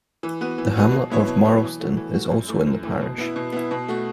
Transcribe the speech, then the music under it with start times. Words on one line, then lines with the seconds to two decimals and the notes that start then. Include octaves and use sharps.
The hamlet of Marlston is also in the parish.
0.23 E3
0.41 B3 F#4 B4
0.58 E3
0.76 B3 F#4 B4
0.92 B2
1.10 F#3 B3 E4 C#5
1.27 B2
1.44 F#3 B3 E4 C#5
1.63 E3
1.80 A3 F#4
1.97 E3
2.14 A3 F#4
2.31 F#2
2.48 E3 A3
2.67 F#2
2.83 E3 A3
3.01 B2
3.18 B3 E4
3.36 B2
3.52 B3 E4
3.71 B2
3.88 A3 F#4